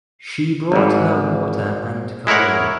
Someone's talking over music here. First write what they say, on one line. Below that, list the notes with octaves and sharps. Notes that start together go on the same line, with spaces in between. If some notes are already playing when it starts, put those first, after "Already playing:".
She brought her water and cologne.
G#1 G#2
G#3 E4 A#4 C#5 F#5